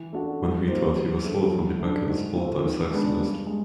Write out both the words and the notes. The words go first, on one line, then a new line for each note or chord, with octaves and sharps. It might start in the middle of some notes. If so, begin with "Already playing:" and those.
When he retired, he was fourth on the Packers' all-time sacks list.
Already playing: E3
A3 D4 F#4 A4
G3
A#3 D#4 G4 C5
F#3
A3 D4
F#3
A3 D4
G#2
E3 A3 C4 F4
D#3
G#3 B3 D4
G2
G#3